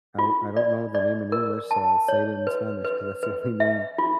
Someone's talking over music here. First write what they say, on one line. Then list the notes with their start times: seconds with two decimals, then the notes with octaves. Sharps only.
I I don't know the name in English, so I'll say it in Spanish 'cause that's the only name,
0.19 F4
0.56 D5
0.95 D5
1.32 A#4
1.71 A5
2.08 C#5
2.47 B4
2.85 B4
3.23 B4
3.60 E5
3.98 F4